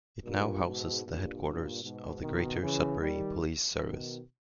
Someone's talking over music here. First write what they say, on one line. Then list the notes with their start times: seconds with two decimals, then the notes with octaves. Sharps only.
It now houses the headquarters of the Greater Sudbury Police Service.
0.25 G2 A#2
0.65 G#2 B2
1.05 G2 A#2
1.43 G2 A#2
1.83 G#2 B2
2.21 B2 D#3
2.61 C#3 E3
3.00 D#3 G3
3.79 B2 D#3